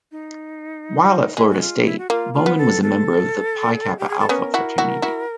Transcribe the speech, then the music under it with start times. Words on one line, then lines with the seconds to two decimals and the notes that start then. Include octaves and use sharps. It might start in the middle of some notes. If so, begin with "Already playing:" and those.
While at Florida State, Bowman was a member of the Pi Kappa Alpha fraternity.
0.12 D#4
1.36 G#3 E4
1.50 F#4
1.61 F4
1.86 E4
1.99 F#4
2.10 A#3 F4
2.34 F4
2.46 B3
2.58 A4
2.83 A4
3.99 G4
4.09 G#4
4.20 A4
4.29 B3 C#4 A#4
4.54 E4 F#4
4.78 E4 F#4
5.02 E4 F#4